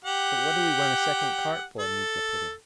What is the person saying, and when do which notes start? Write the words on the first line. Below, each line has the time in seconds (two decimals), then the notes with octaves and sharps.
"But what do we want a second cart for?" Mitya put in.
0.05 G4 F#5
1.79 A4